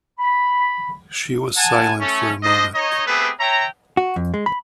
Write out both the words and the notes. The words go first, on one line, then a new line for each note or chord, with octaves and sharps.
She was silent for a moment.
B5
F#5 G#5 A5
A3 C#4
D4 A4 C5 D#5
D#4 C#5 D#5
A3 B3 C4 G4 G#4 B4
C#5 E5 G5 A#5
F#4
F2
G#3
B5